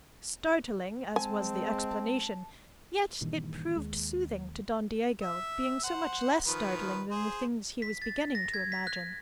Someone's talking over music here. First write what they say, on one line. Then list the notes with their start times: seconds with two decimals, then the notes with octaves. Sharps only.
Startling as was the explanation, yet it proved soothing to Don Diego, being so much less startling than the things he was beginning to imagine.
1.16 G#3 C4 G#5 A5
3.21 G2 A#2 D#3 E3
3.76 D#2 G#3
5.22 E5
5.84 C5 F#5
6.47 D#3 F3 B4
7.11 G#4 C5
7.82 B6
8.02 A6
8.35 A#6
8.54 G#6
8.72 B6
8.87 F#6